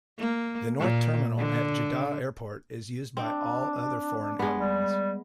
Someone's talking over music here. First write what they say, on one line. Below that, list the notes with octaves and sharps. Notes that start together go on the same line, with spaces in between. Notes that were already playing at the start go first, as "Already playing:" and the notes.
The North Terminal at Jeddah airport is used by all other foreign airlines.
A#3
A#2
D3
C4 D4
G#3 B3
G3